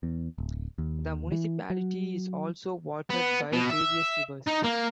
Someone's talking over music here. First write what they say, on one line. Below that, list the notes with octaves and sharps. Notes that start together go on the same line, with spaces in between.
The municipality is also watered by various rivers.
E2
D1
D#2
E3
F#3
B3
B2
E5
D#4
A#3